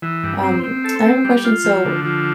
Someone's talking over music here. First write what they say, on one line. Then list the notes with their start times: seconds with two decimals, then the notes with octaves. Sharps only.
Um, I have a question. So,
0.02 E3
0.24 G2
0.43 C4
0.63 C4
0.84 A4
1.05 C4
1.25 G3
1.45 F4
1.64 F3
1.85 D3
2.05 F3